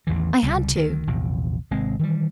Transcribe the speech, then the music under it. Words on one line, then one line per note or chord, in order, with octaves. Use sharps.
I had to.
A1 E2 D#3 E3
C#2 C3 G3
D2 D#3
A#1 E2 C3
G#1 C3 G#3 C4
D#3 E3 G3